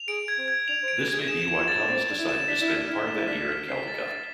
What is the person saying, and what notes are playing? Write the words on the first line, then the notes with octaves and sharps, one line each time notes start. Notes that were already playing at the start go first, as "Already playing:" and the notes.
This may be why Thomas decided to spend part of that year in Caldicot.
Already playing: F7
G#4 D7
G#6
C4
G#6
D4 F7
C5
D7
B4
G#4 G#6
G#4 E7
E7
F4
A6
D4
C4 A6
D4 E7
E4
E7
D4 B6
E4
F6
D4
E4 F6
D4
E7
E4
D4 B6
F6
C4 C7
A6
D4
A6